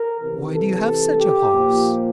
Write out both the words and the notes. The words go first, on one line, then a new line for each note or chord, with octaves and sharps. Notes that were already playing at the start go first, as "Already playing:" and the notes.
"Why do you have such a horse?"
Already playing: A#4
C3 E3
A4
G4
A#2 F3